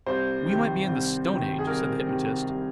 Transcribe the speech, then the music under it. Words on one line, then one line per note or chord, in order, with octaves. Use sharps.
"We might be in the Stone Age," said the hypnotist.
C2 C5
C3 D#3
C2
C3 D#3
G#4
C2 A#4
C3 D#3
C2